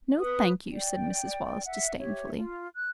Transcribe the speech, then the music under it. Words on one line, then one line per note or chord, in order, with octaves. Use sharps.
"No, thank you," said Mrs. Wallace disdainfully.
B4 D#6
D5 G5
E5 F#5
G4 C#5 E5
F4
F#6